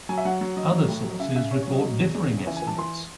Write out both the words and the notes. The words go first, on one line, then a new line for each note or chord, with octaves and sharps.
Other sources report differing estimates.
F#3 G#5
E5
F#3 F#5
F#3
F#3 D#5
F#3
A2
F#3
C#3 E5
C#3 E5
C#3 C#5
C#5
F#3 D#5
F#3
E2
E2
C#3
E3 E5
G#5
E3 A5
E3 C6